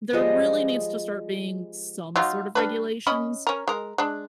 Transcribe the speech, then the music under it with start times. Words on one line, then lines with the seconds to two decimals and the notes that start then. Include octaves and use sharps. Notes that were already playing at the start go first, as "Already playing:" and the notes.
there really needs to start being some sort of regulations
0.13 F3 G3 G#3 D#5
2.16 F#3 D#4 F4
2.55 G3 D4 B4
3.07 C#4 D#5 B5
3.47 C#4 A#4
3.68 G#3 A#4
3.98 G#3 D4